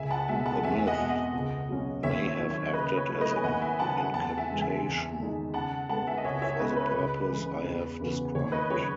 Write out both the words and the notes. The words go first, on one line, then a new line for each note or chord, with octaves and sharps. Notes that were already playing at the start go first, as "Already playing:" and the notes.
The myth may have acted as an incantation for the purpose I have described.
Already playing: C#2 E5 G#5
F#5 A5
B2 G#3 E5 G#5
F#5 A5
E2 E5 G#5
D#5 F#5
B2 G#3
D#5 F#5
C#2
B2 F#3 C#4
D#2 C#5 E5
C#5 E5
D#3 F#3
C#5 E5
C#3 B4 D#5
C#5
F#3 A3
B4 D#5
G#5
D#2 D#5 F#5
E5 G#5
C#3 F#3 F#5 A5
F#5 A5
E2 F#5 A5
E5 G#5
C#3 E3 G#3
E5 G#5
E2
D#3 G#3 D#4 G#4
C#3 F#5 A5
G#3 B3 F#5 A5
E5 G#5
D#5
C#2 C#5 E5
C#5 E5
C#3 G#3 B3 B4 D#5
B4
C#2
C#3 E3 G#3
E2
C#3 E3 B3 F#4
D#2 C#5
B4 D#5
C#3 F#3 C#5